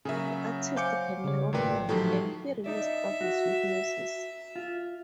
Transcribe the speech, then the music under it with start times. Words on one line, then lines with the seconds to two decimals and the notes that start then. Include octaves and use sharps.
The artist can't draw hands, and he really struggles with noses.
0.05 C#3 F#3 A#3 G#4 E5
0.76 C5 F5 G#5 D6 G6 C#7
1.24 C#3 G3 C#5
1.53 G#1 A#2 A3 A#4 B4 D5 G5
1.89 A2 D#3 F3 F#3 G4 A4
2.66 D#4 D5 E5
3.21 F#4
4.56 F4